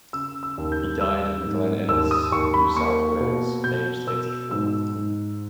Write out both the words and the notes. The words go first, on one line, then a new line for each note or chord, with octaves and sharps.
He died in Glen Innes, New South Wales, aged eighty-four.
C#3 E6
E6
D#2
G6
G3 E6
G#2
D#2 E6
D#6
D#2 C#6
B5
A#3 C#6
B2
B2 G6
B2 E6
G#2 E6
G#2